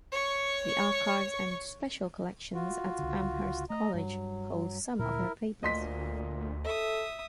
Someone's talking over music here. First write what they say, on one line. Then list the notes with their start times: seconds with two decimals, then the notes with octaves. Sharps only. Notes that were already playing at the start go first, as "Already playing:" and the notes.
The Archives and Special Collections at Amherst College holds some of her papers.
0.12 C#5 C#6
2.54 F4 F#4
2.99 C#2 D3
3.70 A3 D#5 A#5
3.94 G2 F#3
4.99 D2 A#2 E4 A#4
5.63 D2 A#2 D#5 C6 B6
6.65 A4 E5 D#6